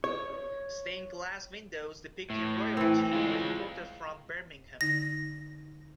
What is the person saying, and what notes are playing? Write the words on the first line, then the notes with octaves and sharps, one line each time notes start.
Stained glass windows depicting royalty were imported from Birmingham.
C#5
A2
E3 C4
G#3 F4
D3 D#4 A#6